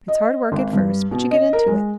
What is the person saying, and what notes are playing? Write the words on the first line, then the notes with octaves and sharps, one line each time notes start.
It's hard work at first, but you get into it.
D#5
G#1
G2
B2
D#5
A#4
G#3